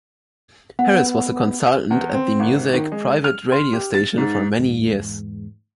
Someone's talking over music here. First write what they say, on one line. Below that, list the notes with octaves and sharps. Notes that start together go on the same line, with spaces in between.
Harris was a consultant at the Muzak private radio station for many years.
B3 F#5
E2
C4
G#1
D#3
G#3
F6
C6
G4
A6
G#2
E2 G#2